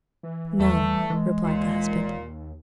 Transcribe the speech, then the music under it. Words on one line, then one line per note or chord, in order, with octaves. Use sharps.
"No," replied the husband.
E3
E2 G3 A3
E3 G#3
D#2 A#2